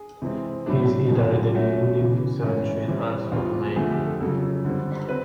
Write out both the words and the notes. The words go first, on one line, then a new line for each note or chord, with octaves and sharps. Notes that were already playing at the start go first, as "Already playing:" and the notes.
He is interred in Woodbine Cemetery in Ellsworth, Maine.
Already playing: G#4
C3 E3 G#3 C4
A2 F#3 A3 D4
F#2 D#3 F#3 B3
F4
F#4
G4
A#2 F#3 A3 C#4 F#4
E2 C#3 E3
G#2 E3 A3 C#4
C3 E3 G3 C4
E2 B2 G3 C4 F4
F2 D3 F3 A3 G#4
G4
A4
F2 C#3 F#3 A4
D3 G3 C4
C4 B4